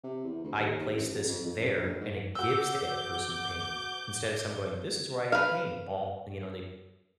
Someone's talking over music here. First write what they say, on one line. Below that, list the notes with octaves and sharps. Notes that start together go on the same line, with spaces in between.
I place this there, and it gives that person pain. Instead of someone going, this is where I have pain, and, you know, and they
C3
E2
D2
D#2
D#2
A1
F1
F2
F2
F#2
A#1
G#2
F#4 D6 E6 G6
B4 F5